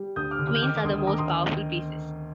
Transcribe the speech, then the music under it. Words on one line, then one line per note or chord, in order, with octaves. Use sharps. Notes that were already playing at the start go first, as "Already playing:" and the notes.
Queens are the most powerful pieces.
Already playing: G3
D2 D#6 G6
D6 F6
D3
D6 F6
G6
D#3 D6 F6
D6
D2 C6 D#6
D#6
D#3 A#5 D6
C6 D#6